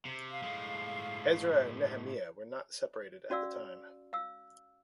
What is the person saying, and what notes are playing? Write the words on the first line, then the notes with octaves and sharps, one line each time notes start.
Ezra and Nehemiah were not separated at the time.
C3
F5
A2 G#3
C#4 F#4 D5 F5 E6
F5 E6